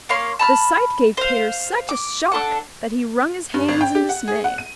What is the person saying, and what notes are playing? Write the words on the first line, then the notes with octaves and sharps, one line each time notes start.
The sight gave Peter such a shock that he wrung his hands in dismay.
A#3 C#5 F5 C6
A5 B5 F6
C5 F5
D6
D4 A4 F#5
G2
G#1
G5
G4
F#5
G#4
F#5
D#7